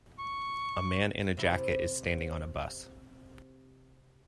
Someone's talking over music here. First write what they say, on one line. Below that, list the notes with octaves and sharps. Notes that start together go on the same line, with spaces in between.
A man in a jacket is standing on a bus.
C#6
C3 E4